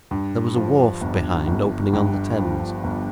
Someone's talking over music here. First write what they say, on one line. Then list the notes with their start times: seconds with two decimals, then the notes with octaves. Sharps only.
There was a wharf behind, opening on the Thames.
0.11 G2
0.56 F3
1.01 G1
1.48 G1
1.93 G2
2.39 F3
2.84 G1